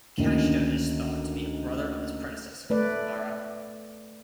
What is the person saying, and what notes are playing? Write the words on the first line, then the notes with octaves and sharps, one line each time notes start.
Kashta is thought to be a brother of his predecessor Alara.
D2 D3 D#3 A#3 C#4
A3 B4 D5